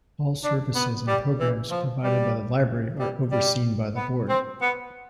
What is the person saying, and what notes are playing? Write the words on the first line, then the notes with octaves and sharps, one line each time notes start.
All services and programs provided by the library are overseen by the board.
D4
B3
G3
E3
F3
G3
G3
G3
B3
C4
B3